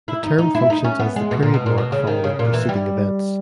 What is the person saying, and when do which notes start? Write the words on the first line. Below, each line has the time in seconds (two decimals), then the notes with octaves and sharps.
The term functions as the period mark following preceding events.
0.08 E4
0.23 D#4
0.38 D#4
0.55 E4
0.70 D#4
0.84 C#4
1.00 B3
1.16 G#3
1.31 B2
1.43 A#2
1.54 B2
1.66 A#2
1.78 B2
1.92 C#3
2.07 D#3
2.24 C#3
2.39 A#2
2.54 E3
2.69 G3